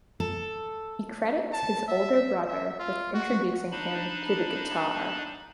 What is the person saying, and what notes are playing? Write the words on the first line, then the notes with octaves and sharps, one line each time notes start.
He credits his older brother with introducing him to the guitar.
A4
A5
E5
E5
F4
F#4
D4 D#4 A5 B5